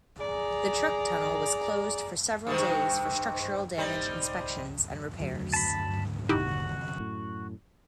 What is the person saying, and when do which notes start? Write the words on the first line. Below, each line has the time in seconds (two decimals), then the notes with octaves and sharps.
The truck tunnel was closed for several days for structural damage inspections and repairs.
0.20 G#4 D5 A#5
2.47 G2 C3 D#3
3.78 G3 C4 D#4
5.20 D2 F#3
5.53 A5 B5
6.29 G1 D#2 D#4 E4 F#4 G4
6.99 F#2 A2